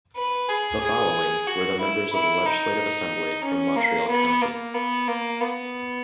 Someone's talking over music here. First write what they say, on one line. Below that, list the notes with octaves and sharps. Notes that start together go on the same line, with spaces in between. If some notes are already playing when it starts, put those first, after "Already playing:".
The following were the members of the Legislative Assembly from Montreal County.
B4
G#4
G#4
F#4
E4
E4
D#4
C#4
A#3
B3
A#3
B3
A#3
B3